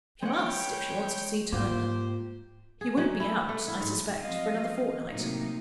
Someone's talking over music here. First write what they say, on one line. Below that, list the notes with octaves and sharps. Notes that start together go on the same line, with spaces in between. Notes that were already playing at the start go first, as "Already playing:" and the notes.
She must, if she wants to see Turner; he won't be out, I suspect, for another fortnight.
G#3 B4 C#5 F#5 G5
G#2 A#3 F4 G4 C5
G#4
F#3
E4
A3
E4
G#2
F3 F#3 C4 D#5 F5
A2 C3 F#3 A#3 D#4